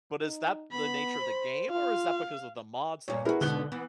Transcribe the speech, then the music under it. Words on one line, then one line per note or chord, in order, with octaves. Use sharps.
But is that the nature of the game, or is that because of the mods that you installed?
D#4
B3 B5
C5
F4 F5
G2 A#2 C#5
E4 F#4 G#4 A#4 B4
G#2 B2 D3 B3 F#6 G7
E3 B3